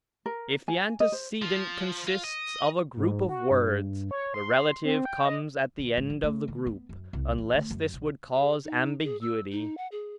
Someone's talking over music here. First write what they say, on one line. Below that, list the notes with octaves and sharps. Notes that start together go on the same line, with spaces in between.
If the antecedent consists of a group of words, the relative comes at the end of the group, unless this would cause ambiguity.
A#4
G#5
D#5
C5
F3
F4
D#5
G#2
F#4
G2
C#5
C6
C4
G5
D#5
D3
G#2
F3
A3
D3
B3
F#2
C2
E2
D2
F#2
B1
G#4
D#4
G#4
E6
D#4
F#5
G#4